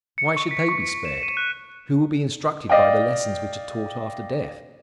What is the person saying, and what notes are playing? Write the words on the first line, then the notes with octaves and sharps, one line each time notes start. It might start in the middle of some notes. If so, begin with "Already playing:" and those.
Why should they be spared? Who will be instructed by the lessons which are taught after death?
C#7
C#6
B6
C#6
B6
E7
D#7
F#6
D5 D#5 F5 G5